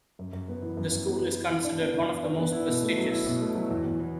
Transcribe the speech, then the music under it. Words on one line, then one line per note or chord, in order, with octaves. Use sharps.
The school is considered one of the most prestigious.
F#2
F#2
B3
E3
F#2
F#2
B3
E3
E3
E3
D4
B3
E3
E3
D4
B3
E4
B2
A3
F#3
E4
B2
A3
F#3
E2
E2
E3